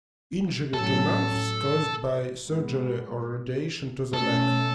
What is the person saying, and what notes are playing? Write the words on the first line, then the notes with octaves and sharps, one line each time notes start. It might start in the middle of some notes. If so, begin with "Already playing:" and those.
Injury to nerves caused by surgery or radiation to the neck.
A2 F#3 C#4 A4
G#2 G#3 B3
B2 A3 C#4 A4